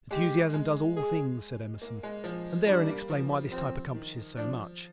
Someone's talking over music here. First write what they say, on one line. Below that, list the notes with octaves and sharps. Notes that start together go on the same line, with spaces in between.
"Enthusiasm does all things" said Emerson, and therein explained why this type accomplishes so much.
G#3 G4
G#3
G#4
A#3
G#3
F3
G3 D4
A#3
F3
F3 C4
D#3
F3 D4